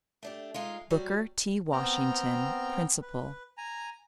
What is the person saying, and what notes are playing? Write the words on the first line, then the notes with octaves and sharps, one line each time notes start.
Booker T. Washington, Principal.
A3 D4 G4
G#3 D#4 F4
F#3 G3
B3 C4 G5 A#5 F6
B4
G#5 A#5